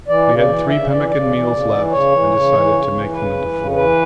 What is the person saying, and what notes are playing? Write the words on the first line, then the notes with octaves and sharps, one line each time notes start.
We had three pemmican meals left and decided to make them into four.
E3 D5
C#3
D5
E3
C#3 E5
E3 D5
C#3 D5
E3
C#3
E3
C#3 C#5
E3
C#3
E3
C#3
E3
C#3 B4
E3
C#3
E3 B4